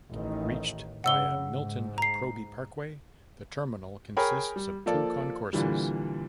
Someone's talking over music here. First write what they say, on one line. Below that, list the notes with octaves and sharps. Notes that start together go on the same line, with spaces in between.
Reached via Milton Proby Parkway, the terminal consists of two concourses.
A1 D#3
C#3 F#5 E6 G7
G#2
A#5 C7
G#4 A#4 C#5 G5 B5
G3
F3 A#3 A4 D5
A#2 D3 E3 G3